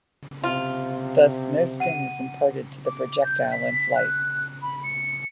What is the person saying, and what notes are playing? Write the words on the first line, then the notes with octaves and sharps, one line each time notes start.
Thus, no spin is imparted to the projectile in flight.
C3 F4
F#5 D#7
D6
G6
B6
F#6
B5
C#7